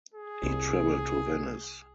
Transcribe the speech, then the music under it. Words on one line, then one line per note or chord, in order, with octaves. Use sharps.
He traveled to Venice.
G#4
C2